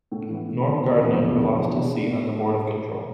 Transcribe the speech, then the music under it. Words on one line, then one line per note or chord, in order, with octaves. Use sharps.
Norm Gardner lost his seat on the Board of Control.
A2
E3 B3
A2
E3 B3
E1
E2 D3 F3 B3
E1
E2 D3 F3 B3
E2
B2 G#3 D4